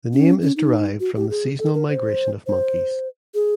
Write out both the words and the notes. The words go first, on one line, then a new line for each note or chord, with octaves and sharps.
The name is derived from the seasonal migration of monkeys.
C#4
C#4
D#4
F#4
G4
G#4
A4
A#4
C5
C5
G#4